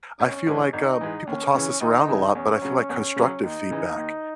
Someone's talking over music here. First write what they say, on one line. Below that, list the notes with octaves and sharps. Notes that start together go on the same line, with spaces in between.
I feel like, uh, people toss this around a lot, but I feel like constructive feedback
G#1 C#4
G#2 E3
G#1 D#4
G#2 E3
D#2 C#4
C#3 E3
D#2 D#4
C#3 E3
E2 C#4
C#3 F#3
E2
C#3 F#3
D#2 D#4
C#3 E3
D#2